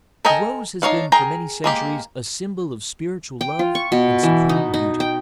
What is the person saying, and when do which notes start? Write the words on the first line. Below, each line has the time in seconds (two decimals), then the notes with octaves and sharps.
The Rose has been for many centuries a symbol of spiritual love and supreme beauty.
0.25 A4 A#4 D#5 G5 G#5
0.82 D4 D#4 C#5 F5 F#5
1.12 G#4 A#4 G5 A#5
1.64 G#3 A#3 G4
3.41 G5
3.59 F4
3.75 C#6
3.92 B2
4.23 E3
4.49 D#4
4.74 D#4
5.00 G5